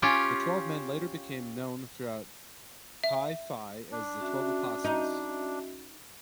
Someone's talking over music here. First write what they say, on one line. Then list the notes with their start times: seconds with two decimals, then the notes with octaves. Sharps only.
The twelve men later became known throughout Chi Phi as the "Twelve Apostles".
0.02 C#4 F4 G4 F5
3.04 E5
3.92 D4
4.20 C#4 F#4 E5
4.84 D#4